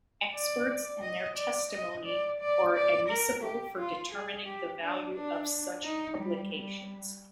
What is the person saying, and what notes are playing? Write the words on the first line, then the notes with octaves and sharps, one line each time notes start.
Experts and their testimony are admissible for determining the value of such publications.
D5
D#5
D5
D#5
D5
D5
D5
A#4
G4
F4
G#4
G4
D4
D4
D#4
G3
G3